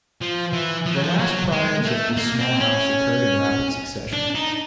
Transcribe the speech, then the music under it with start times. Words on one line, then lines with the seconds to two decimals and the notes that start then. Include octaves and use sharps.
The last priors of this small house occurred in rapid succession.
0.21 F3
0.53 E3
0.86 F3
0.95 F#3
1.03 F3
1.19 F#3
1.52 G#3
1.84 A3
2.17 A#3
2.40 C4
2.60 C#4
4.13 D4
4.35 D#4